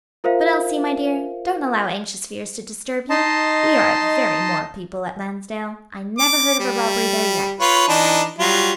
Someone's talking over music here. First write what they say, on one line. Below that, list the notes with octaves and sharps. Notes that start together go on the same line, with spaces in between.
"But, Elsie, my dear, don't allow anxious fears to disturb you; we are a very moral people at Lansdale; I never heard of a robbery there yet."
F4 A#4 C5 E5 F5
D#4 D#5 A5 C6
D6
G3
F4 B4 C#5
E3 D4 D#4
F#3 G3 F4